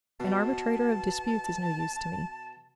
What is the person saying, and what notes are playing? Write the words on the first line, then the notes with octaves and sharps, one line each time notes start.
An arbitrator of disputes is no use to me.
B2 A5